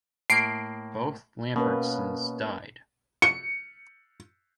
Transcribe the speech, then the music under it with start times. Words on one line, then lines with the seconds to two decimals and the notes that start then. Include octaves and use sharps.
Both Lambertsons died.
0.30 A2 A#3 C7 D7
1.56 B2 A#3 C#4 B4
3.22 C#7